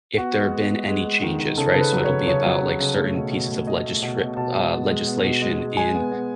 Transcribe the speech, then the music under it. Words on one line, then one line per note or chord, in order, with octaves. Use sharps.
if there have been any changes," right? So it'll be about, like, certain pieces of legisri uh, legislation in
B3 F#4
G#3
B3
G#3
G#3
G#3
D#3
D#3
C#3 A4
C#3 A4
B4
F#3
C#3 C#5
C#3 C#5
F#3
C#3
C#3
A3
B2
B2
A3
B2 D#5
A3
B2
B2
B2 A5
G#3
B3
G#3
B3
B2
G#3
G#3
G#3 G#5
B3
B3